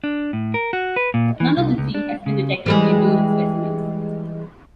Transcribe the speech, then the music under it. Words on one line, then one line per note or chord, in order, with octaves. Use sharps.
None of the three has been detected in urine specimens.
D4
A2
A#4
F#4
B4
A#2
E3
C2
C#2
D4
C#3
E3 G3 G#3